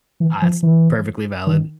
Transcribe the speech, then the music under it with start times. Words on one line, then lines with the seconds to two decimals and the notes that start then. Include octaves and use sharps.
Ah, that's perfectly valid.
0.20 E3
0.42 F3
0.63 E3
1.47 D#3